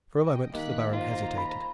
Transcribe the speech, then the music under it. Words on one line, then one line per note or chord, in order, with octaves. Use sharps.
For a moment the Baron hesitated.
D#5 G5
D#2 F#6 B6
F4 C5 A#5
B5